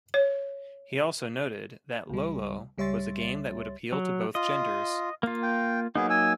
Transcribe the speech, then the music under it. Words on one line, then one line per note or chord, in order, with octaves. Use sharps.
He also noted that "Lolo" was a game that would appeal to both genders.
C#5
C#2 G3
C#2 G3 C#5 E5 C6 A6
F#3
F4 D#5
A#3 F4
G5
F#3 A#3 B3 D#4 G#4
G#5 E6